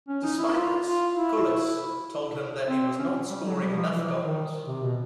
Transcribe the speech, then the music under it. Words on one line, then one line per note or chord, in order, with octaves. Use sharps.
Despite this, Cullis told him that he was not scoring enough goals.
C#4
D#4
E4
F4
F4
E4
C4
C#4
G3
F#3
G3
F3
E3
D#3
C3
B2